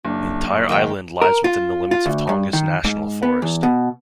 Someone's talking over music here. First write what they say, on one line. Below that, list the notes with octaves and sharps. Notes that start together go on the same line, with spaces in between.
The entire island lies within the limits of Tongass National Forest.
F#1 D4
D#3 F#3 D#4 G5
A#4
F4
F4
D2
G2
D#3
G#2
B3
E2
B2